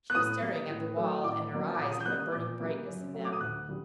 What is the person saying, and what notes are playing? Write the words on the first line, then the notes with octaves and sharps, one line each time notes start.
She was staring at the wall, and her eyes had a burning brightness in them.
F#6
A2 D#6
G3 A#3
A2
F#3 A3
A2 D6
F#3 A#3
D6
A#2 D#6
D#6
G6
G3 A#3 F#6
D#6
A#2 D6
G3 A#3
F#2
F#3 A3
D6
D#6
D2 F#6
D3 G3